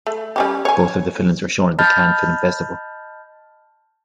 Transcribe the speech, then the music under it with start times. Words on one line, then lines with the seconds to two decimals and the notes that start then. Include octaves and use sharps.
Both of the films were shown at the Cannes Film Festival.
0.07 A3
0.36 G3 C#4 G4
0.65 C#5 G#5
1.79 D#5 A5 B5 F6 G6 A6